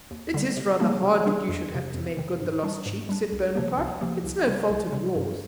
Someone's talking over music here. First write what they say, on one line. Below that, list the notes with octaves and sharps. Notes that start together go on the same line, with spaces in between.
"It is rather hard that you should have to make good the lost sheep," said Bonaparte; "it is no fault of yours."
D#2
D3 G3
C3
G3 A#3 D4 G#4
C3
G3 A#3 D4 G#4
F2
C3 D#3
F2
C3 D#3
G#2
G3 D4
G#2
G3 D4
C2
C3 F3 A#3
C2
C3 F3 A#3
C2
C3 G3
C2
C3 G3
G2